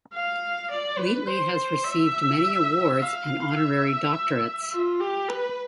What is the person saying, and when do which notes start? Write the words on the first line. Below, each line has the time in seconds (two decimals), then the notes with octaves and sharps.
Wheatley has received many awards and honorary doctorates.
0.13 F5
0.70 D5
0.98 B4
1.28 C5
1.85 E5
3.00 F5
3.56 E5
4.72 F4
5.00 G4
5.29 B4